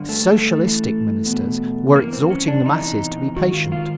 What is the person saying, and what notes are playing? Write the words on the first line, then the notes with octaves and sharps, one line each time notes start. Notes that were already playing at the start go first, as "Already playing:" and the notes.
The "Socialistic" ministers were exhorting the masses to be patient.
Already playing: G2 D3
A3
A3
A2 E3
E2 B2
G2 E3 A#3
C4
C#4
D4
E2 C3 E3 D#4
G#2 D#3 F#4
F4
F4